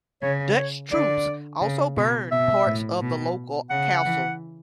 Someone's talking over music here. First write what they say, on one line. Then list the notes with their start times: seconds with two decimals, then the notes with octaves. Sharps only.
Dutch troops also burned parts of the local castle.
0.22 C#3 C#5
0.57 C#5
0.92 D3 D5
1.61 C#3
1.96 B2
2.31 B2 E5
2.66 A2
3.01 B2
3.70 C#3 F#5
4.05 E3